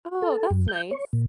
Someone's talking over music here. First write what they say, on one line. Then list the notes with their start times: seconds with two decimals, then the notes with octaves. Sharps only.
Oh, that's nice.
0.22 A4
0.51 F#2
0.68 G6
0.91 C#5
1.13 A#2